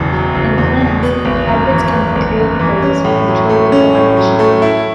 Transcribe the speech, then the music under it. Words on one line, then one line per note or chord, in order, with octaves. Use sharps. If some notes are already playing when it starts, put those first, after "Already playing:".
In plants, hybrids can be created by using controlled pollination.
Already playing: F#1 E2 B2
F#3
F#1
E2
B2
B3
G#1
F#2
E3
B3
G#1
F#2
E3
C#4
A2
F#3
A3
C#4
A2
F#3
A3
E4